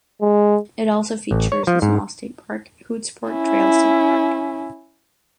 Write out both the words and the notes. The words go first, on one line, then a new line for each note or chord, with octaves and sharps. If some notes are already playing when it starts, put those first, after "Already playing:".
It also features a small state park, Hoodsport Trail State Park.
G#3
A1
C#5
F3
G#2
C#4 E4